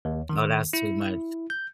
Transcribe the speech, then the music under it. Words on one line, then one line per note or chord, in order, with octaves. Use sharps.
No, that's too much
D#2
D#3
E4
G6